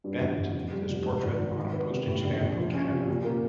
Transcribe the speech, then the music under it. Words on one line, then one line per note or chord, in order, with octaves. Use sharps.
Bennett with his portrait on a postage stamp of Canada.
G2
A1
A1
F2
G3
F1
G#2
G#1
G#1
D#3
B3
C3
A2
A#1
A#1
F3
C#4
C3
A#2
A#3